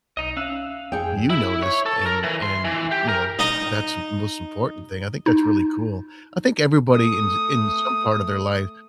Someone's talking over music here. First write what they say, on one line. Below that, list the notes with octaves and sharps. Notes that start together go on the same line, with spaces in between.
you noticed, and and, you know, that's the most important thing, I think that's really cool. I think everybody in in some part of their life,
B1 D#4 D#5
C#4 E5 F5 E6 F#6
F2 G#4 G5 C#7
E4
C#5
A4
A#4
E3
C6
E3
G4
A#4
D#4 D#5 A#5
D#4
A3 D#6